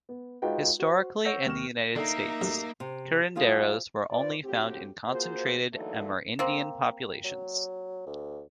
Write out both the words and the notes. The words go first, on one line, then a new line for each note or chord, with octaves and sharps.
Historically, in the United States, curanderos were only found in concentrated Amerindian populations.
B3
G#3 D#4 F4 F#4 B4 G5
F#4 C5
C#5 F#5 C#6 E6 G6 A#6
D#2 C#6 F6 E7
D3 A#3 D#4 E5
A1 F#2 G4
C3
F3 G3 C4 F4 G#4
F4 B4 C5 D5
A2 C4 F#4 G4
A#3 F4 F#4 G#4 C5
D3 E3 F#3 A3 A#3 D#4
A#3 C4
F#3
D2